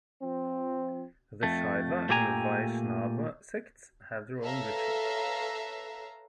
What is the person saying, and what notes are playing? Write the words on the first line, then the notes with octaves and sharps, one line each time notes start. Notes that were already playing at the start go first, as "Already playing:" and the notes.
The Shaiva and Vaishnava sects have their own rituals.
F3 C4
F2 A3
A#2 A3 G4 G5 G#5 A#5
A4 B4 C#5 E5 F5 A#5